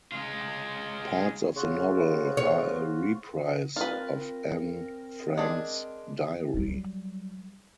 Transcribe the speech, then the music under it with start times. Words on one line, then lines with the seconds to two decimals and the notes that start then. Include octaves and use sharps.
Parts of the novel are a reprise of Anne Frank's Diary.
0.12 G#3 F4
1.56 C#3 F4 F#4
2.37 C#5
3.76 C4 F4 A#4 B4
5.38 G#3 D4
6.54 F#3 G3